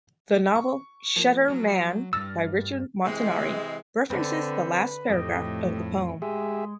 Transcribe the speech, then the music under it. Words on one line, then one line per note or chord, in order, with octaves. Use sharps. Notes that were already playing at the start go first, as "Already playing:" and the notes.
The novel "Shutter Man" by Richard Montanari references the last paragraph of the poem.
C#6
F3 A#3
F#3
E2 G2 E6 F6 A6 A#6
C3 E3 G#3
D3 C4 A4 B4
F2 A2 A3 G4 D#5
G#3 G4 G#4 E5